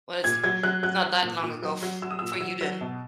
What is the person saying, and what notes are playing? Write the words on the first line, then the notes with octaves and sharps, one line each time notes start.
Well, it's it's not that long ago f for you then.
A#2 G#6
F#3 G#6
F#3 F#6
F#3 F#6
F#3
A#2
A#2
F#3
F#3
F#3 E6
D#6
E6
A#2
E6
F#3
F#3
B2